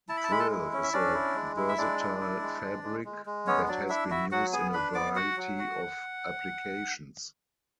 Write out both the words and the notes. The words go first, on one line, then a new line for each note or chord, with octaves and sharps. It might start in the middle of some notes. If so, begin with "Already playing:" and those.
Drill is a versatile fabric that has been used in a variety of applications.
E4 A5
B5
A5
G#3 B5
A4 A5
E4
C#4
E5
C#4 D4 D5
E4
G#3
E4
E5
G#3 D4 D5
E4
E4
G#3
G#3
G#3
G#3
G#3
B3 C#4 C#5
F#3 D4 D5
D4 E4 E5
E4 F#4 E5
F#3 F#4 F#5
B3 G#4 G#5
D4 B4 B5
B3 D5 D6
F#4 F#5
F#3
F#4